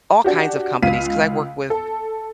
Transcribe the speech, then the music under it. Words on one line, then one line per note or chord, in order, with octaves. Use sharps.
all kinds of companies, 'cause I work with
D4 F#4 G4
C#2 F5 B6 D#7
A4